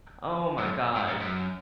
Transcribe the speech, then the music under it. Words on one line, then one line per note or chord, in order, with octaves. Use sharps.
Oh my gosh.
F#2
G#2
G#2
F#2